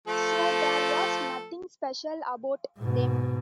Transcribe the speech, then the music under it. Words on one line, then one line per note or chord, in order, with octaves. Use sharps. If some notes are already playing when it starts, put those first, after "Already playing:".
So there was nothing special about them.
F3 A3 A4
G#2 B2